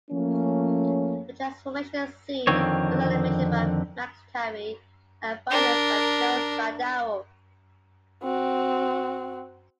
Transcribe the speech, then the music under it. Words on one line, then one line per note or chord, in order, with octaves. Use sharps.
The transformation scene was animated by Max Tyrie and finalized by Joe Spadaro.
F3 A3 A#3 C#4
F2 D3 D#3 C4 C#5
D4 A#4
C4 F#4